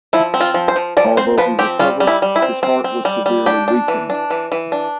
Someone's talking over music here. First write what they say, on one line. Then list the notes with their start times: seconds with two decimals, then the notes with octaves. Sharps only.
Although he recovered his heart was severely weakened.
0.13 F3 E4
0.34 C4
0.41 F4
0.54 F3
0.68 C5
0.76 F3
0.97 F3 D5
1.17 C4 C5
1.38 F3 B4
1.59 C4 G4
1.79 G3 F4
2.00 G3
2.07 E4
2.22 G3
2.36 E4
2.42 C4
2.63 C4
2.84 C4
3.05 G3
3.26 G3
3.46 D4 G4
3.68 D4
3.88 E3
4.10 D4
4.31 E3
4.52 E3
4.72 D4